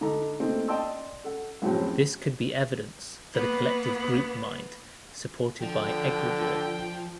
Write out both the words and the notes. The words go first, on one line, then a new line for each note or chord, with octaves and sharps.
This could be evidence for the collective group mind supported by Egregore.
D3 D#4 A4 A#5
A3 A#3 C4 D4 D#4
D5 D#5 G5 A5 C6 E6
A4 F#5
A#1 F#2 A2 F#3 C4 C#4
A#3 B3
D3 F3 G5